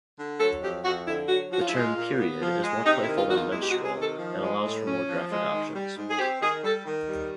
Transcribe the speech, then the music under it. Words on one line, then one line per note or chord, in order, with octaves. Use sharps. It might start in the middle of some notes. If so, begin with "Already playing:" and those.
The term "period" is more playful than "menstrual," and allows for more graphic options.
D3
F#3 A4
F2 G4
F2 F#4
D3 E4
F#3 F#4
F3 F#4
F4
E4
G#3 F4
A#2
B3
F3
G#3
C3 D#4
E4
D#3
F4
E2 F#4
F4
G#3 E4
G4
F#4
C3
G#4
D#3
A4
F3
G#3
A2
C#4
F3
G#3
D#3
G3
G#2
G#4
C4 G4
D#3 G#4
G3 A4
D#3
G3